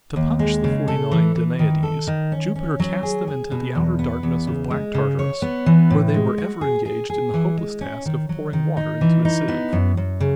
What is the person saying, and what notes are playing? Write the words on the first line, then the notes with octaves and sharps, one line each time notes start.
To punish the forty-nine Danaides, Jupiter cast them into the outer darkness of Black Tartarus, where they were ever engaged in the hopeless task of pouring water into a sieve.
D#2
G#3
C#3
A4
E3
E3
D#3
A4
D#3
C#4
C#4
F#3
G#4
G#4
B2
E2
B3
E2
C#3
G#3
C#3
C#5
B3
E3
A2
G#3
F#4
G#4
G#4
G#4
E3
G#3
C#4
D#3
F#3
D#3
D#4
E3
D#4
B3
F#2
F#2
C#3